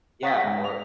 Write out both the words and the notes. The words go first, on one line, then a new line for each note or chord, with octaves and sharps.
Yeah, or
F#5 A#5 C#6 D#6 A#6 B6
G#2
F7